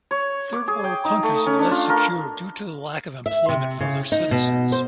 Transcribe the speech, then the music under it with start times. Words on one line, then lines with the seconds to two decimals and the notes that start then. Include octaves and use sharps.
Third world countries are less secure due to lack of employment for their citizens.
0.11 C#5
0.53 D6
0.68 G#4
0.84 G5
1.05 D#4
1.23 A3
1.46 C#4
1.59 D4
1.71 F4
1.89 A#4
3.26 E5
3.49 C3
3.80 C#3
4.12 D#4
4.31 B2
4.72 C5